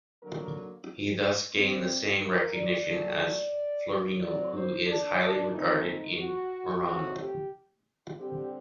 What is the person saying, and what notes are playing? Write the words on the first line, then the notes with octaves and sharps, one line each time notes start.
He thus gained the same recognition as Florino, who is highly regarded in Murano.
D3 F#3 A#3 A#4
C3 G3 C4
A#4
D5
A#2 F#3 A3
A2 F#3 C4 D5
C5
D4
D4
A#2 A3 C4 D#4
D#4
F#4
A2 A3 C4 F#4
G4
D3 G3 C4 G4